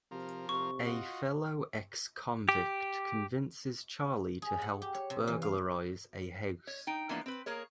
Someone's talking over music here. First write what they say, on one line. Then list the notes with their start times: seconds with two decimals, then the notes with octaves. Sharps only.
A fellow ex-convict convinces Charlie to help burglarize a house.
0.11 C3 F3 A#4
0.49 C3 C#6
0.86 F4 F#4 D#5
2.49 G4
4.42 G#4
4.61 F#5
4.82 G4
4.95 C#5
5.10 C3
5.27 E3
5.42 F5
6.67 C#5
6.87 D#4 G5
7.09 E3 F3 G#3 A#3 B3 D4
7.26 C4 B4
7.46 A#3 G#4 A#4 C#5